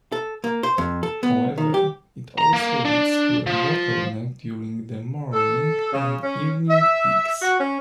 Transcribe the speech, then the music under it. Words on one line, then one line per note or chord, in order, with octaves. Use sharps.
However, it also leads to a bottleneck during the morning and evening peaks.
A4
A#3
C5
F2
A4
B3
D#3
G4
A#5
A#3
D4
F3
A4
C#3
C#4
E5
F#4
C#4